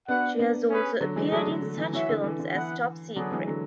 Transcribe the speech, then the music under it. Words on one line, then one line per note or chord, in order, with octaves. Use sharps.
She has also appeared in such films as Top Secret!
B3 D4 F#4 B4 F#5
B3 D4
C#4 G#4 B4
D3 F#3
E3 G#3
F#3 G#3 A3 D4 G#4
D3
D3
E3
E3 F#4 C#5 E5
D3
E3
D3
E3 B3 E4 B4 F#5
D3 F#3 B3 D4 G#4 D5 F#5
E3 G#3
D3 F#3